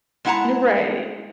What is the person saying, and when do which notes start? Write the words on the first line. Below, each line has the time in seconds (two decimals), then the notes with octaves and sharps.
You're right.
0.25 G#3 B3 E4 F#5 A5 A#5